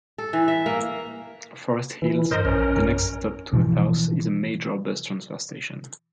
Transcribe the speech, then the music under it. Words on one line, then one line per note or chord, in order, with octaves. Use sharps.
Forest Hills, the next stop to the south, is a major bus transfer station.
A4
E3
E5
A#3
E3
G2 A#4 C5 D#5
A#1 C#4 A#4
F#2
B2 E3 F3